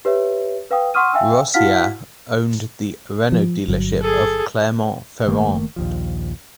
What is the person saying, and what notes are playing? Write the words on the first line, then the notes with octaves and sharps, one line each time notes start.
Rosier owned the Renault dealership of Clermont-Ferrand.
G4 B4 C#5 E5
B4 F5 G5 D#6
F#5 C6 C#6 D#6 F6 D#7
E5 F5 G5 G#5 E6
E4 F#4 F5 F#5 F6 B6
F3
G1 F#3
G#4 A4
F#1 D#3 A3 A#3
A#1 D#2 F3